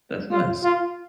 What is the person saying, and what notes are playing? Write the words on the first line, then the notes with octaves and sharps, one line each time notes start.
That's nice.
F4
F4